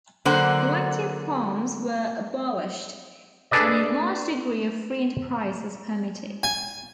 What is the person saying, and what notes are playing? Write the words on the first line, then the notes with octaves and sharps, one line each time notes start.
Collective farms were abolished, and a large degree of free enterprise was permitted.
D3 F#3 A#3 C5 F#5
D4 G#4 A4 B4 D5 D#5
G#5